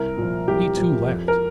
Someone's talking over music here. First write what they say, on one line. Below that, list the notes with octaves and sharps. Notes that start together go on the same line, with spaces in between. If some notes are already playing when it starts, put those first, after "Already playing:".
He, too, laughed.
Already playing: C2 A#4
A#2 F3
C2 G4
A#2 F3
F2
A#4